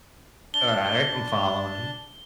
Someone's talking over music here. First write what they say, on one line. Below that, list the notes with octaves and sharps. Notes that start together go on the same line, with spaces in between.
All right, I'm following you.
D4 A5 G7